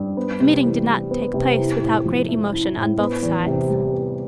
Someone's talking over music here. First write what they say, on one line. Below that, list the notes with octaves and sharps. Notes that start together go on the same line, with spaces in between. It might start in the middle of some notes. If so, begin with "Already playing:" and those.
The meeting did not take place without great emotion on both sides.
Already playing: G2
B3
C3
E3
G3
B3
C3
E4
A2
F3
A3
E4
A2
B3
E2
C3
G3
B3